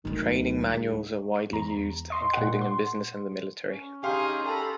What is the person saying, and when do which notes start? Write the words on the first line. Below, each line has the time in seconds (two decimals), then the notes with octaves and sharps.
Training manuals are widely used, including in business and the military.
0.05 D2 D#3 F#3
0.71 G#2
1.52 E2 A#5
2.10 D#5 C6
2.33 A#2 F#5
2.61 C6
3.69 C#4
4.03 D#4 G4 G#4 F5 C6
4.46 A4 A#5 B5